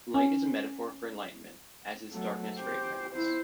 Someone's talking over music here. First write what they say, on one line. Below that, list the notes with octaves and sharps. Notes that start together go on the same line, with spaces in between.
Light is a metaphor for enlightenment as is darkness for ignorance.
C#4
F#3 A3
G4 C5
E4 C5